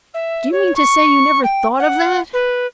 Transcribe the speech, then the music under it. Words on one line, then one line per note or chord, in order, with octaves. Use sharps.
Do you mean to say you never thought of that?
E5
C#5
C#6
G5
F#5
B4